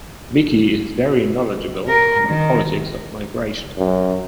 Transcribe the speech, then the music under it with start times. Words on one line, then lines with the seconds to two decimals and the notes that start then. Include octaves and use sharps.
Vicky is very knowledgeable on the politics of migration.
1.88 A#4
2.29 D#3
3.78 F#2